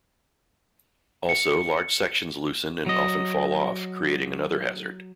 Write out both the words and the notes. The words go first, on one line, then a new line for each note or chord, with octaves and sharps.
Also, large sections loosen and often fall off, creating another hazard.
C#7
F#3 D#5